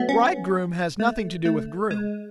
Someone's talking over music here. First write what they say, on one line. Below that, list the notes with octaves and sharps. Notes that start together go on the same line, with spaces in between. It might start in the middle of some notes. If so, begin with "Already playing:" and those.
Bridegroom has nothing to do with groom.
Already playing: F#3 A3 B3
C#4
A3
A3
G#3